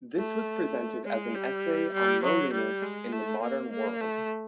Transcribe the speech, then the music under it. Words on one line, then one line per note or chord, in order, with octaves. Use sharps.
This was presented as an essay on loneliness in the modern world.
A3
G#3
G3
G3
F#3
G3
G#3
A3
A#3
A#3
A3